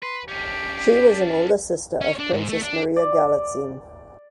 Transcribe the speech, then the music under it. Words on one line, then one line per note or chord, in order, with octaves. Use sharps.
She was an older sister of Princess Maria Galitzine.
B4 C6
C#4 D4 G4
C#4
D4
G#2
A3
D4
D5